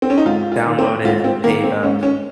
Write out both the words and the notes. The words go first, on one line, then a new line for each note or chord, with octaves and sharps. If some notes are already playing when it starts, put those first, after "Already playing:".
download it and pay the
C4
C#4
D#4
G#2 F4
F4
D#3
C4
G#2 F4
C4
D#3 A#3
C4
G#2 C#4
C#4